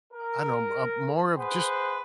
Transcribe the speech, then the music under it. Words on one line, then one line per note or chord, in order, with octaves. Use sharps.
I don't know uh, a more of just
A#4
G#4 B4 C5 F#5 C6